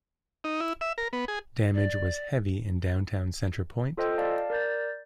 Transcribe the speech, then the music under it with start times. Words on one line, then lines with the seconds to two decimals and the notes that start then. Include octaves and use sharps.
Damage was heavy in downtown Center Point.
0.44 D#4
0.60 E4
0.81 E5
0.98 A#4
1.13 B3
1.28 G#4
1.75 D5
3.97 F4 A4 C5 D#5 G5
4.18 D5 F5 A5
4.50 A#4 D5 G6 A6